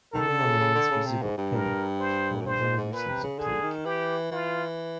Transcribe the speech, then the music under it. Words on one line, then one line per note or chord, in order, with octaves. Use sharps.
All nominees receive a pin, while the winner receives a plaque.
D#3 A4
D3
C#3
C#3
D3
C#3
C3
G#2
G2
A#4
C5
F#2
G2 C5
G#2
G#2
A#2 B4
C3
C#3
D3 G#4
D#3
E3 G4
E3 F4